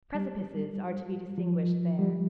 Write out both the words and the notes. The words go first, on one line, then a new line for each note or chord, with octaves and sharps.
Precipices are to be distinguished there.
G3
F3
G3